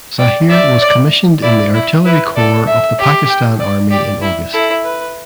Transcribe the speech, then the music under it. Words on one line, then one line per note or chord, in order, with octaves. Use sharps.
Zahir was commissioned in the Artillery Corps of the Pakistan Army in August.
D5 G5
D5 E5
D5
E4 D5
E4
E4 B4
A4 D5
E5
G4
G5
D5
G4 D5
E4
E4 A4
B4